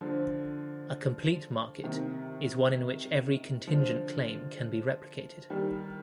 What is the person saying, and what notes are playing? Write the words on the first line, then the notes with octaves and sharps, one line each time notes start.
A complete market is one in which every contingent claim can be replicated.
D3 F3
C3 D#3
D3 F3
D#3 G3